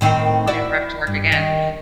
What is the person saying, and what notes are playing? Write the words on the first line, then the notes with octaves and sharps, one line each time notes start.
Never have to work again.
A2 D#3 C4
E4 F#4 D5
G2
D#3